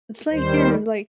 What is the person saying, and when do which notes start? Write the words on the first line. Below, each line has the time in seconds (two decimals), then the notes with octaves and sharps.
It's like you're like
0.31 D#2 D#3 G3 C5